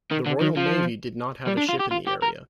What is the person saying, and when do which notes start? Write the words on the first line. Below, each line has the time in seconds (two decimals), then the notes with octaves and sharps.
The Royal Navy did not have a ship in the area.
0.11 D#3
0.26 D3
0.41 D#3
0.56 F3
1.47 G3
1.58 D4
1.69 F4
1.80 G4
1.92 F4
2.08 G4
2.23 A#4